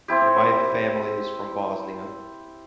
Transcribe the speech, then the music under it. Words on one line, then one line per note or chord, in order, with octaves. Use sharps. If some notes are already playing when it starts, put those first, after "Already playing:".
You know, my family is from Bosnia,
C4 E4 G4